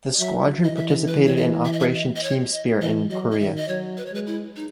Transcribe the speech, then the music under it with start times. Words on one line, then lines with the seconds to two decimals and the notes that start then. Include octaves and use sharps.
The squadron participated in Operation "Team Spirit" in Korea.
0.19 F#3 E5
0.63 E3 D#5
0.76 E5
0.88 D#5
1.07 B4
1.27 C#5
1.36 D#5
1.65 E5
1.72 D#5
1.80 E5
1.94 D#5
2.16 D#5
2.23 C#5
2.52 D#5
2.81 E3 D#5
3.10 F#3 D#5
3.32 D#5
3.39 D#3 E5
3.56 D#5
3.68 F#3 C#5
3.97 B4
4.06 C#5
4.12 G#3 B4
4.27 E4
4.56 D#4